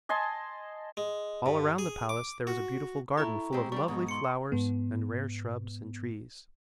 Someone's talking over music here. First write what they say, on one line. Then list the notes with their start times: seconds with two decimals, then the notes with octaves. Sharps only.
All around the palace there was a beautiful garden full of lovely flowers and rare shrubs and trees.
0.09 D#5 G#5 A5 C6
0.97 G#3
1.46 G2
1.79 G#4
2.09 D6
2.47 F#4
3.17 E4 A4 A#5 C#6
3.53 G#3 C4 G4
3.72 G3 D4 G4 C#6
3.88 G#2 B2 G#3
4.08 C6 C#7
4.52 G#2 B3